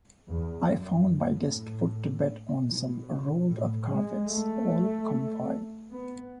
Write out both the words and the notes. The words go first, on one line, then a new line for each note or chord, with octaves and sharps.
I found my guest put to bed on some rolled-up carpets, all comfy.
E2
F#2
A2
B2
A2
G#3
A3
B3